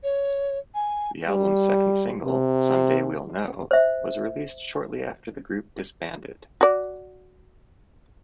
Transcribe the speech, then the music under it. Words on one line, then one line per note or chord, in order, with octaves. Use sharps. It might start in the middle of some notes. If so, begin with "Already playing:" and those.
The album's second single, "Someday We'll Know," was released shortly after the group disbanded.
C#5
G#5
G3
C3
C5 E5
F#4 D5